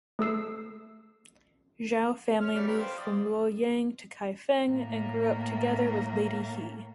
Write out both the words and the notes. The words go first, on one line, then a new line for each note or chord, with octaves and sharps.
Zhao family moved from Luoyang to Kaifeng and grew up together with Lady He.
A3 A4 E6 C7
C#4 F6
G3 A3 D4
G4 A#4 B4
C5 F5 G5
D5 D#6
A2 A#3